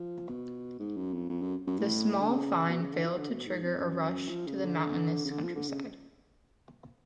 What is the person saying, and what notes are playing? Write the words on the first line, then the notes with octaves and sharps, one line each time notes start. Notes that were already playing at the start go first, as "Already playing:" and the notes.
The small find failed to trigger a rush to the mountainous countryside.
Already playing: F3
B2
G#2
F#2
F2
F2
F#2
F#2
A2
D3
C#3
B2
C#3
D3
F3
D3
B2
G#2
F2
F#2
F3
C#3
D3
C#3
D3
F3
D3
C#3